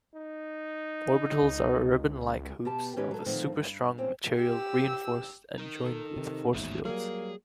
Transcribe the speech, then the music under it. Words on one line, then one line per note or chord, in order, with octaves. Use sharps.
Orbitals are ribbon-like hoops of a super-strong material reinforced and joined with force fields.
D#4
C#2
B2 G4 A5
G#2 D#3 C#4 G4 B4 D#5
F#3 A4
A#2 D3 D#3 F3 A3 C4
G2
A#2 C4 C#4
G4 E6
D#4 A#4
A4
C3 D#3
A1 D#2 G#2 F#3 B3 E5
F#3 G3 A#3 G#4